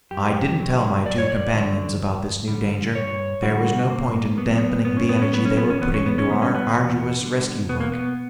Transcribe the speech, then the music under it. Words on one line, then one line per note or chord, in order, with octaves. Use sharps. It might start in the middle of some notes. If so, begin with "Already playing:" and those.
I didn't tell my two companions about this new danger. There was no point in dampening the energy they were putting into our arduous rescue work.
F#2 G4
D3 F#3
F#2 D5
C#5
D5
D3 F#3
G2
D3 G3
G2 C#5
D3 G3 F#4
G2 A#3
F#3 B3
G2 B3
C#4
B3
C#4
F#3 B3
C#4
B3
C#4
E2 B3
C#4
B3
C#4
D3 G3 B3
C#4
B3
E2 B3
D3 G3
B2 B3
A#3
B3